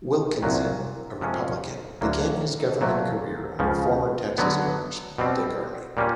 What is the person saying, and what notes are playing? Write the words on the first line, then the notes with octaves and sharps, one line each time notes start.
Wilkinson, a Republican, began his government career under former Texas congressman Dick Armey.
C2 A#2 F#3
C3 F3 G#3 C#4
D2 D3 F#3 A#3
A#2 F#3 A3
C#2 C#3 F3
D3 F#3 B3
B2 G3 C4
A#2 G3 A#3 C#4